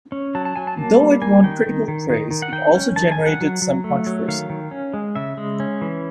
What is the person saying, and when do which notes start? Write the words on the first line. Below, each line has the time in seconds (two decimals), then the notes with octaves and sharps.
Though it won critical praise, it also generated some controversy.
0.12 C#4
0.35 F#3 A5
0.45 A5
0.56 F#3 G#5
0.67 A5
0.77 A#3 A5
1.00 G3
1.22 A#3 G#5
1.43 D#3 G5
1.66 D#3
1.88 D#3
2.10 D#3
2.31 D#3
2.42 F#5
2.52 D#3 G5
2.75 C#4
2.96 D#3 A5
3.12 G#5
3.19 D#3
3.26 F#5
3.41 F#3
3.62 F#3
3.84 A3
4.07 F#3
4.28 D#3 F5
4.50 D#3
4.71 C#4
4.94 G#3
5.16 C#3 E5
5.37 G#3
5.60 C#4
5.81 E3